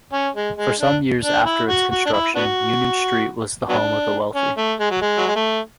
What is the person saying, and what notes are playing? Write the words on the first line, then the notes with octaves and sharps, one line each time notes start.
For some years after its construction, Union Street was the home of the wealthy.
C#4
G#3
G#3
D4
D4
E4
F#4
F#4
D4
E4
B3 D4 F#4
F#3 B3 D4
C#4
A3
G#3
F#3
G#3
F#3
G#3
A3